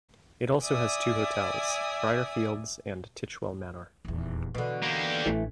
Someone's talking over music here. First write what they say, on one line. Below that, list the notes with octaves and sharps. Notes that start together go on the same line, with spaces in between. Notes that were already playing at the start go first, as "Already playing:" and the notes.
It also has two hotels, Briarfields and Titchwell Manor.
D5 E5 G#5 D#6
D#1 E2
B2 D3 E3
A#3 G4
A1 E3 A3 D4